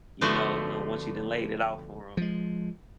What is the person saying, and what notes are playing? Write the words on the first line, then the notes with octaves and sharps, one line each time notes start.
you know, uh, once you done laid it out for 'em.
D3 F3 A3 B3 F#4 C5
F3 G#3